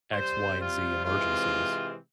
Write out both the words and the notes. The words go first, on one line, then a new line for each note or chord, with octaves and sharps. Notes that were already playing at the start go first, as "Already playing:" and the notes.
x, y, and z emergencies.
C3 G3 C4 C5
F4
C3 E3 G#3 C4 F4